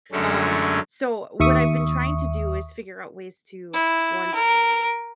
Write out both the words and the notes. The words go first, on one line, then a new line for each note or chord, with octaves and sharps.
um, so, what I've been trying to do is figure out ways to once,
F#2 D3 G#3 A3 C#4
D#2 E5 C#6 D#6
E4
A#4